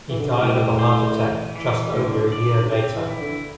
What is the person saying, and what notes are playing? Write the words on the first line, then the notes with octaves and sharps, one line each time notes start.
He died of a heart attack just over a year later.
E3
D3
C3
A2 G3
C5
E3
E3
A2 D3
D5
C3 C4
E3
E4
E3
D3